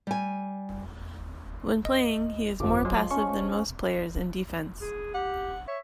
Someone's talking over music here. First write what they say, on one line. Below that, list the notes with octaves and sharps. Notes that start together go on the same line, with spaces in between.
When playing, he is more passive than most players in defense.
G3 G#5
D#5
G1 F2 F3 F5 D6
F#3 G#3 C6
C#4 C#6
G#4
G4 F#5
C#5 E5